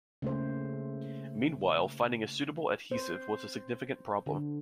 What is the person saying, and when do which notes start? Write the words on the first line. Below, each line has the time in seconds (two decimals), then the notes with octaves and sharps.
Meanwhile, finding a suitable adhesive was a significant problem.
0.22 C#3 A3 A#3 C5
2.91 C5
4.26 D3